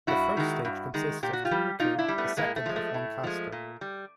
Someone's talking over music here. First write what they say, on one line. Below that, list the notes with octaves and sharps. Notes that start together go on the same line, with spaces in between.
The first stage consists of two Recruit, the second of one Castor.
G2 E4 F#4
D#3 G#3
G2
D#3 G#3
A#2 G4
F#4
F4 G4
G3
A#2 D#4 F4
D4 E4
G3
A3 B3
A2 G#3 A#3
A3
F3 G#3
A3
A2
F3 G#3
A#2
G3